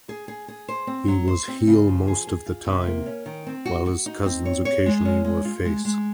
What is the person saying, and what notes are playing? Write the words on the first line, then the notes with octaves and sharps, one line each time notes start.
He was heel most of the time, while his cousins occasionally were face.
G#4
G#4
G#4
C5
C4
F#3
C5
C4
C#3
F3
G#4
G#4
F4
C3
A#3
C#4
D#3
C4
F#4
F#4
D#4
C4
C#5
C#5
G#3
C#4
G#3
F4
G#3
G#3